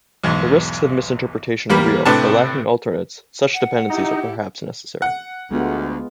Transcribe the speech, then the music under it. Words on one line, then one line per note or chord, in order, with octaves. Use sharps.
The risks of mis-interpretation are real, but lacking alternates, such dependencies are perhaps necessary.
B1 E2 G#2
E2 G3 A#3 B5
A2 C3 D4 A4 B4 A5
F#5
D#4 E4 G4
F#5
D2 G#3 B3 F4